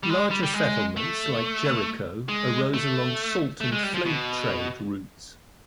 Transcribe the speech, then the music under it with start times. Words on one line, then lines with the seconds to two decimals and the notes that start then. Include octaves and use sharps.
Larger settlements like Jericho arose along salt and flint trade routes.
0.03 G3
0.09 G#3
0.31 G3
0.43 G3
0.54 G#3
0.96 A3
2.29 G#3
2.74 A3
3.61 A3
3.72 G#3
3.83 G3
3.94 F3
4.06 B2